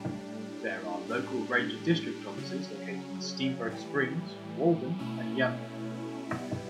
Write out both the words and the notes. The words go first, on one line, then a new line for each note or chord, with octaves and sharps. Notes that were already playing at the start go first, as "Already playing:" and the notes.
There are local ranger district offices located in Steamboat Springs, Walden, and Yampa.
Already playing: A2 G3 D4
A2 G3 D4
C#3 F#3 C#4
A2 E3 G3
B2 A3 C#4 E4
B2 G3 B3 E4